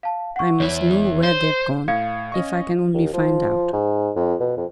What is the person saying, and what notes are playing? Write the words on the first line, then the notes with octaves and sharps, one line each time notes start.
I must know where they've gone--if I can only find out.
F5 A5
F#5 C#6
E2 E3 C#5
C5
A2 F5 G#6 C#7
C#4 D#5 C#6
D#2
F3
G#2
F2
B2
F2